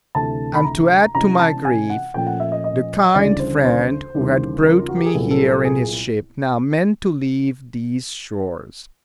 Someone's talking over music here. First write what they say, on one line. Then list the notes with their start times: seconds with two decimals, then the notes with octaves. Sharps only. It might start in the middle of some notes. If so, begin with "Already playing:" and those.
And to add to my grief, the kind friend, who had brought me here in his ship, now meant to leave these shores.
0.15 D2 C3 E3 A3 A5
0.55 B5
0.64 A#5
1.15 C3 E3 G#3 C#4 A#5
1.39 A5
1.65 G#5
1.90 F#5
2.14 A#2 F3 A3 C#4 G5
2.27 F#5
2.40 E5
2.52 D#5
2.64 D#5
3.15 D2 C#3 E3 G3 D5
3.39 C5
3.65 C5
4.14 D#2 C#3 E3 G3
4.64 A#4
4.79 F4
4.89 F#4
4.97 G4
5.06 G#4
5.14 C2 A#2 F#3 B3 A4
5.31 A4
5.48 A4
5.65 G#4